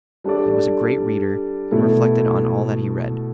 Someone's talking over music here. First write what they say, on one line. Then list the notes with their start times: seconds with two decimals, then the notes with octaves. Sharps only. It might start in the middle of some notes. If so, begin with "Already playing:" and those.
He was a great reader, and reflected on all that he read.
0.24 G3 D4 A4 D5
1.71 B2 A3 E4 A4